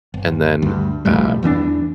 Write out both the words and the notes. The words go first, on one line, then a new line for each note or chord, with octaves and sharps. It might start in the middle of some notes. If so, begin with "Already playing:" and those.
and then uh,
G1
D2 G2
B1 F2 A2 G3
E2 E3 A3 D4